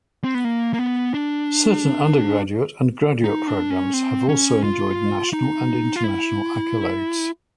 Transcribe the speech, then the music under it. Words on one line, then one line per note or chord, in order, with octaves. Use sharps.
Certain undergraduate and graduate programs have also enjoyed national and international accolades.
C4
B3
A#3
A#3
B3
D4
D#4
D4
C#4
C4
C#4
F4
D#4
F4
E4